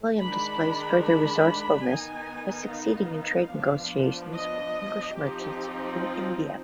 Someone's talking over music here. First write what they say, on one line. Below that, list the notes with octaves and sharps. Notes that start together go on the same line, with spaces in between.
William displays further resourcefulness by succeeding in trade negotiations with English merchants in India.
D#3 G#3 D4 B5
B5
D#3 B3 D#4 G#5
F5
F3 B3 D4
D#5
F3 C4 D#4 G4
F4